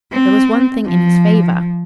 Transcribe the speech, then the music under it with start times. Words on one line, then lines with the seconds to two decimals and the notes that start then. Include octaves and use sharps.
There was one thing in his favour.
0.12 C4
0.86 F3